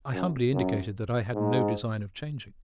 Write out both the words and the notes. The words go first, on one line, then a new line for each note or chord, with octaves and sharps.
I humbly indicated that I had no design of changing.
F#2
F#2
G#2